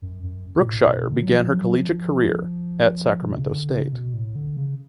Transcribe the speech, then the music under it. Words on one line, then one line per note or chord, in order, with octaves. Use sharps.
Brookshire began her collegiate career at Sacramento State.
F#2
F#2
B2
A2
B2
D3
F#3
F3
F#3
F3
B2
C#3
D3
C#3
B2
A2
D3
C#3